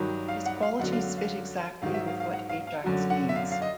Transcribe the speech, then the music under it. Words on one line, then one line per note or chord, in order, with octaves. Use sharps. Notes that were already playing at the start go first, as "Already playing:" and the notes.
His qualities fit exactly with what Ajax needs.
Already playing: G2 D#3 F#3
F5
F#5
F5
F#2 D3 F#3 F#5
F5
F5
G#2 D#3 F#3 F5
E5
F5
F5
F#5
F5
F5
F#2 D3 F#3
F#5
E5
F5
F5
D#5